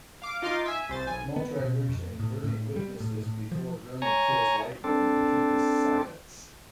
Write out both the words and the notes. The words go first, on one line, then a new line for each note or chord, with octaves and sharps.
Maltravers and Gurney witness this before Gurney kills Lightborn to keep his silence.
F5 D6
D#4 F4 D#5 F5 C6 D6
E5 G#5
C2 C5 A6
B1 G#5
B3
B2
F2
A2
A2
G3
A2
A2
F3
C#5 G#5 A#5
C4 D4 A4